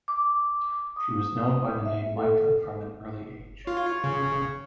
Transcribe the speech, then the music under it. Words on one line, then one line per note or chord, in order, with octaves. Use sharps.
She was known by the name Mica from an early age.
D6
D#6
E5
A4
F4 C#5
C#3